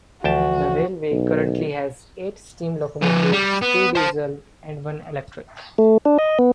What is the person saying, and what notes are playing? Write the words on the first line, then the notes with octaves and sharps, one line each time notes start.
The railway currently has eight steam locomotives, two diesel and one electric.
D2 E3 F3 F#4 G5 A5
B1
F3 B4
G3
B3
C5 A5
A3
D4
D#5
B3